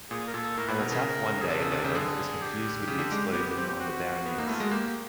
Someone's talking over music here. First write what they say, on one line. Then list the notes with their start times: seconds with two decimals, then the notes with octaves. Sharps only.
An attack one day later was confused with the explosion on the Berenice.
0.11 A#2 G#4
0.27 A#4
0.34 A#2 A4
0.57 A2 A#4
0.68 A#2 B4
0.80 B2 A#4
0.92 C#3
1.42 G#4
1.50 C3 A4
1.61 C#3
1.72 C3
1.84 C#3 G4
1.95 D3 G#4
2.42 G4
2.88 C#3
2.99 D3
3.11 G#3
3.34 B3
3.57 C4
3.69 G4
3.79 C4 F#4
4.26 B3
4.38 A#3 D#4
4.48 A3 E4
4.55 F4
4.60 G#3 F#4
4.71 A#3 G4